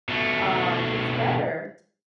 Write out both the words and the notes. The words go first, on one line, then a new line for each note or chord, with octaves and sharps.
um, it's better s
B2 A3